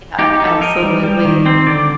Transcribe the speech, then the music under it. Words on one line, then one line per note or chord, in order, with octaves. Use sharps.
Yeah, absolutely.
D#4 G4
G4
D#4
A4
D#4 A#4
G3
G3
D#3
C4 C5
D3 D5